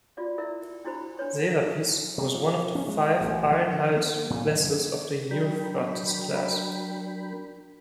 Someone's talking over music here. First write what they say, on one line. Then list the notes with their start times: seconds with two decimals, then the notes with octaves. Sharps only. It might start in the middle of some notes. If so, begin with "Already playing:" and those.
"Serapis" was one of five iron-hulled vessels of the "Euphrates" class.
0.17 F4 F#4 D5 F5
0.38 E4 A#4 D5 E5
0.84 D4 E4 F#4 C5 B5
1.17 D4 B4 C#5 C6
2.18 C3
2.34 F3
2.75 C#4
2.88 G#3
3.21 A1
3.51 F3
3.73 D3
3.96 A#3
4.30 A#2
4.47 F#1
5.31 F#3 D4 A#4 G5 B5